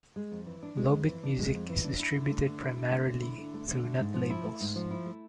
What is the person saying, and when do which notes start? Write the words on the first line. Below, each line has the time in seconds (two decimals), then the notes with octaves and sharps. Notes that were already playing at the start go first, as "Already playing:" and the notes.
Low-bit music is distributed primarily through net labels.
0.16 G#3
0.32 F2
0.46 E3
0.63 D4
0.77 G#3
0.92 F2
1.08 E3
1.23 D4
1.39 G#3
1.54 F2
1.69 E3
1.84 D4
2.00 E4
2.16 D3
2.31 A3
2.46 D3
2.62 E4
2.77 D3
2.91 A3
3.07 D3
3.22 E4
3.38 D3
3.54 A3
3.68 D3
3.84 A3
3.99 G#2
4.14 F3
4.30 E4
4.45 A3
4.60 G#2
4.76 F3
4.91 E4
5.06 A3